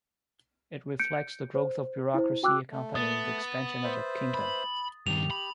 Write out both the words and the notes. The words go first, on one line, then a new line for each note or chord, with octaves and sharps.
It reflects the growth of bureaucracy accompanying the expansion of the kingdom.
G6 C#7 D7
C5
E4 C5
F#4 G5 D6 E6 F#6
A3
B3 D#6 A6
B4 C5 E5
B5
G2 D#3 G4 F7
B5